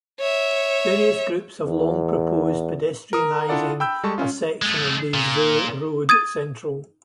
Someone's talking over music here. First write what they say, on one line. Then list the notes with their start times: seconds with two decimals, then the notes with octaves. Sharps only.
Various groups have long proposed pedestrianising a section of Des Voeux Road Central.
0.20 C#5 E5
1.65 E2
3.13 A#4 D#6
3.49 D4 E4 F4 A4 D5 F#5
3.80 G5 B5 E6 G6
4.04 G3 G#3 A4 A5 C#6
4.18 C#4 F4
4.62 G#3 A3
5.14 A#2
6.09 D#6 G#6 A6 D#7